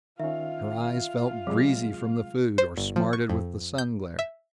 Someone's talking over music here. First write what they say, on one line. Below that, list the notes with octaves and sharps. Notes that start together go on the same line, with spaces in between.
Her eyes felt greasy from the food, or smarted with the sun-glare.
D#3 C#4 F4 E5 F5
C3 F#3 G#3 G#4
C5
G1
F3
C#6
F2
G6
E5